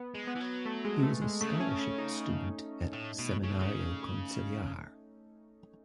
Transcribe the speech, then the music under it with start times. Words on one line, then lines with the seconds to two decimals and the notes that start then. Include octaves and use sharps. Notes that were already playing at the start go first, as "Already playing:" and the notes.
He was a scholarship student at Seminario Conciliar.
Already playing: B3
0.14 G#3
0.27 B3
0.35 E3
0.40 F#3
0.65 A3
0.85 G#3
1.03 A3
1.22 G#3
1.41 C#3 A3
1.60 C#4
1.79 C#4
1.98 D#4
2.93 A2
3.19 B2
3.44 C#3
3.51 B2
3.59 C#3